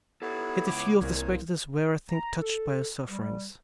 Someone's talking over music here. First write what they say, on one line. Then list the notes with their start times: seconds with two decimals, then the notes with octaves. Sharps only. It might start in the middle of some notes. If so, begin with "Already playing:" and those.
Yet a few of the spectators were, I think, touched by her sufferings.
0.22 B3 E4 G4 A4 C#5
0.66 C#2 D6
1.01 C2 A#2 A#4 C#5
2.10 A#5
2.41 A4
3.08 G3